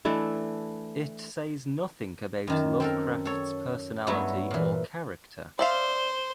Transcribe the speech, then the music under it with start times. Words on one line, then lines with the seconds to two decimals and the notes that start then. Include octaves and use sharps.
It says nothing about Lovecraft's personality or character.
0.05 E3 A3 D4 E4
2.47 F#2 D#3 A5
2.80 C4 A4 A#4
3.25 A4 C#5
4.07 G2 F#3 A3 B3 E4 F#4
4.51 A#2 E3
5.59 C5 D5 E5 F5